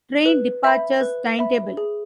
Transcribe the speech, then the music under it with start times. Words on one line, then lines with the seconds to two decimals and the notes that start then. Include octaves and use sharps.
Train departures timetable.
0.25 B4
0.64 E5 B5
1.01 B4
1.39 E5 B5
1.77 G#4